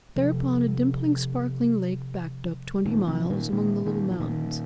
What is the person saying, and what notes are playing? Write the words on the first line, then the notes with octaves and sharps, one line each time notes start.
Thereupon, a dimpling, sparkling lake backed up twenty miles among the little mountains.
C3 F3
A#2 D#3
C3 F3
C3
A#2 D#3
A#2 D#3
A#2 D#3
F3
A#2 D#3